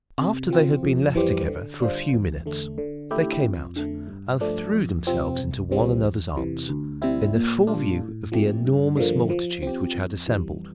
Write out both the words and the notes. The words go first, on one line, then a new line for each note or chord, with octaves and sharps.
After they had been left together for a few minutes they came out, and threw themselves into one another's arms, in the full view of the enormous multitude which had assembled.
C3
F3 C4 F4
F2
E3 G3 C4 G4
D3
G3 D4 F4 C5
E2
D3 A3
D3
A3 E4 G4
F2
D3 A3
G2
F3 A3 D4
F2
C3 F3 C4
C2
C3 E3 G3 C4
E2
C3 E3
D2
C3 G3 C4 E4
A#2
G3 D4 F4
A2
F3 A3 C4 G4
G2
D3 F3 A#3
F3
C4 G4
F2
E3 G3